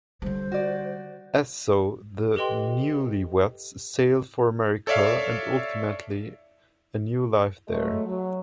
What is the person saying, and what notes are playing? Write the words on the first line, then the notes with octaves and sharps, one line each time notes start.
And so the newlyweds sailed for America and ultimately a new life there.
D3 G3 C5
F#4 D5
G4 A4 B4 D#5 G5 C6
A4 C#5 D5 E5 F5
F#3 G#3 A3
F#3